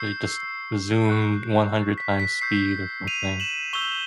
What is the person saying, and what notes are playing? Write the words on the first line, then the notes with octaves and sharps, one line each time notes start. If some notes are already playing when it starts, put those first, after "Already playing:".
They just zoomed one hundred-times speed or something.
Already playing: C#6 E6 G6 C7
C#6 F#6
B6
B6
C#6 E6 G6 C7
D#7 F7
E7 F#7
C#6 E6 G6 F7 G7